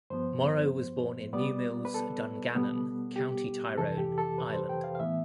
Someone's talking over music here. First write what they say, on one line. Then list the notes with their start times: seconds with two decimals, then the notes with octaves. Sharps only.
Morrow was born in Newmills, Dungannon, County Tyrone, Ireland.
0.10 G2 F3 B3 C5
1.33 B2 G3 B3 D5
1.85 B4
1.94 A4
2.55 B2 G3 B3
3.16 G4
3.78 F2 C3 E3 A4
3.98 G4
4.18 A4
4.38 B4
4.54 C5
4.69 G5
4.84 F5
4.95 F5
5.00 A2 E3 B3 E5